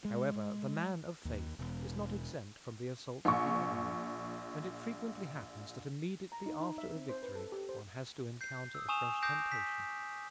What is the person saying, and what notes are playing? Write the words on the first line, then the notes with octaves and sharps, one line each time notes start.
However, the man of faith is not exempt from the assaults of the enemy; and it frequently happens that immediately after a victory one has to encounter a fresh temptation.
G#3
D#2
E1
A#1 C#6
A#5
D#4
D#4
E5
C4
C5
B4
A4
G4
C5
G6 C7
D#6 E6
G#5 C#6 D#6 E7 F7
D6 D#6 G6 A#6 C7 D7
B6